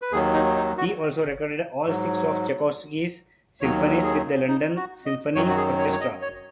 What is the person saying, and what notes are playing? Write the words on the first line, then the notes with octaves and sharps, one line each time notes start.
He also recorded all six of Tchaikovsky's symphonies with the London Symphony Orchestra.
B4
D#2 D#3 F#3 G#4
D#4
D#4
F#4
G#2 F#3
D#2 D#3 F#3 C#5
G#4
D#4
F#4
D#5
F#2 D#3 F#3 C#5
F#4
G#4
C#5
C#5
D#5
C#5